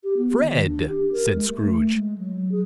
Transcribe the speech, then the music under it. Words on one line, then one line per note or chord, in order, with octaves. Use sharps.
"Fred!" said Scrooge.
G4
B3
D#3
D4
G4
A#4
G#3
A3
G#3
F#3
G#4